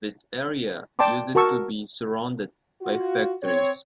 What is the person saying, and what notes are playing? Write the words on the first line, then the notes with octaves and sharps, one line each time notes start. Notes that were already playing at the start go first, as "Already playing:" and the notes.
This area used to be surrounded by factories.
D5 G5 A5 C6 D6
F#4 A#4 A5 C#6 E6
F4 F#4
C4 C#5